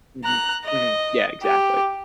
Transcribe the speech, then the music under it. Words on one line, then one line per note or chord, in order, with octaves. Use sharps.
Mhm. Mhm. Yeah, exactly.
A#5 F#6
D#5
G4